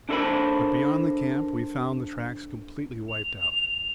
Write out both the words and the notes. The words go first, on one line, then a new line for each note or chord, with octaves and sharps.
But beyond the camp we found the tracks completely wiped out.
D4 E4 A4 A#4 C5 B5
F7